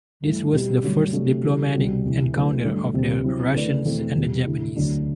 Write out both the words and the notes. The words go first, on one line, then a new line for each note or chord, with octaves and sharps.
This was the first diplomatic encounter of the Russians and the Japanese.
G2 E3 A3
B2 G3 C4 G4
G2 D3 F#3 A3
C3 F#3 A3 D4 G4
E3 G3 D4 A4
C2 B2 G3 C4 F#4
D2 C3 E3
F#3 A3 E4 B4
G2 D3 F#3 A3 D4
D2 C3 G3 C4 G4
F#3 C4 E4
D3 A3 E4 B4 D5
E2 B2 A3 C4 E4
E2 C3 G3
D3 A3 E4
D2 D3 F#3 A3 D4